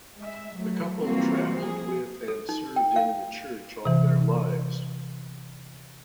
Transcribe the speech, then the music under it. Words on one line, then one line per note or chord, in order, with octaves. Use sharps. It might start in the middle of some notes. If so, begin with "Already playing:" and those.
The couple traveled with and served in the church all their lives.
G#3 E5
F#3 A3
E3 G3 A#3 C4 F4 F#4
F3 G#4
A4
D#4
G5
F5
C3 E3